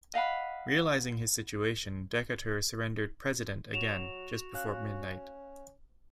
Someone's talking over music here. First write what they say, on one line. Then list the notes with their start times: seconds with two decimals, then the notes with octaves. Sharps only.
Realizing his situation, Decatur surrendered "President" again, just before midnight.
0.14 D#5 F5 F#5 B5
3.74 F#3 F#4 E7 F7
4.55 C#4 F5 F#6